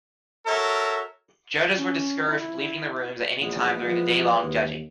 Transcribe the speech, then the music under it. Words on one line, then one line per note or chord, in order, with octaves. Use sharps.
Judges were discouraged from leaving the rooms at any time during the day-long judging.
F#4 A4 A#4 C#5 E5
C#4
E4
A#1 E3 G#3 B3
F3
D#2